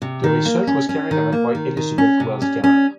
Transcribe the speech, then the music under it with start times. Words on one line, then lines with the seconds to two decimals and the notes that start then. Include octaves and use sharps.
The research was carried out by Elizabeth Wells Gallup.
0.02 C3
0.24 D#3
0.45 A#3
0.67 C#4
0.89 C#4
1.11 D#3
1.32 A#3
1.55 D#3
1.77 D#3
1.98 C#4
2.20 C3
2.42 C#4
2.64 C#4